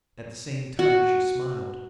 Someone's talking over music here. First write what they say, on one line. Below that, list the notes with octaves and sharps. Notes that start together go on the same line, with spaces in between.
At the same time she smiled.
F#4